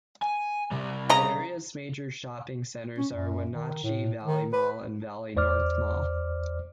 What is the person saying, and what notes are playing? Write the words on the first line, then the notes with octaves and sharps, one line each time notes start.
The area's major shopping centers are Wenatchee Valley Mall and Valley North Mall.
G#5
C3 G3
C#3 D#5 A#5
C#4
F#2
D#3
A2
D#3
B4
E2 C5 D5 D6 F6